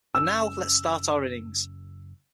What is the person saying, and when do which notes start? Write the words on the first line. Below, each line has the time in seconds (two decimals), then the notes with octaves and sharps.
And now let's start our innings.
0.15 F#1 C#4 E6